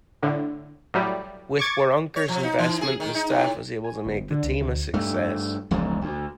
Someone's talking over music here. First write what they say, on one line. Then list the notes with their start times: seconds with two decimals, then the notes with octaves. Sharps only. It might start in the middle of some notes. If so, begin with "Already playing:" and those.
With Waronker's investment, the staff was able to make the team a success.
0.22 A2 D3
0.94 A2 F#3 G3
1.59 C#6 D6 G#6 A6
2.16 C#5
2.28 F3
2.43 D#4
2.59 E3
2.81 G#4
3.00 D#3
3.14 D#4
3.30 A2
3.84 G#5
4.05 G1
4.31 D3
4.43 C#2
4.61 D2
4.94 G2 A3
5.71 E1 C#2 G#2 F3
6.01 D2